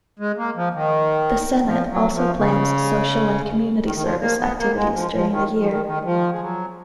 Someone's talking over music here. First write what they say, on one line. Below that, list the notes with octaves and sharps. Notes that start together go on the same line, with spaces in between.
The Senate also plans social and community service activities during the year.
G#3
A#3
F3
D#3
F3
F#3
F3
C#3
D#3
D#3
F3
A#3
B3
A#3
G#3
F3
F3
D#3
F3
D#3
D#3
F3
G#3
F#3